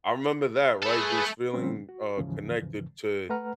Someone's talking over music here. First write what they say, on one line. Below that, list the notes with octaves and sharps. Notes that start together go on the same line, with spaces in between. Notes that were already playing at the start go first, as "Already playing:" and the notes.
I remember that, right? Just feeling, uh, connected to
A3 G#4 A4 B4
A#2 D3 F3 G3 C4 C#4
F#4
D#2 G#2 C#3 E3 F3
A3 B4 F#5 A#5 F6